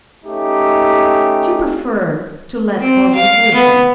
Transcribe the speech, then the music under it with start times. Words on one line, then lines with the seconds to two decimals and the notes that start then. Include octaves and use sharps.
She preferred to let others listen.
0.25 A3 C#4 D#4 G4
2.80 C4
3.15 F5
3.55 B3